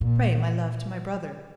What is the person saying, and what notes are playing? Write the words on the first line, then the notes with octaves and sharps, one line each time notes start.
Pray my love to my brother.
A#2